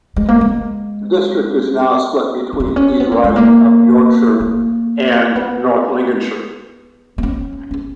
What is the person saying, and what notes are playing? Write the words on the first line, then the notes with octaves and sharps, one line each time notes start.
The district is now split between the East Riding of Yorkshire and North Lincolnshire.
G#3
A#3
G#3
D#4
C#4
B3
C#4
B3
A#3
G#3
A#3
A#3
B3
B3
C#4
C#4